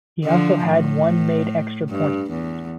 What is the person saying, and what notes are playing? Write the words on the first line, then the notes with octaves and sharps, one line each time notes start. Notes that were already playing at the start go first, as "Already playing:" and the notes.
He also had one made extra point.
D3 F3
A2
G2
E2